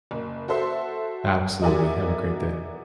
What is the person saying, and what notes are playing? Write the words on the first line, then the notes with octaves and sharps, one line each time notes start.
Absolutely. Have a great day.
F#1
F#4 A4 C5 E5 C6
D#4 F#4 A#4 D5 E5 G#5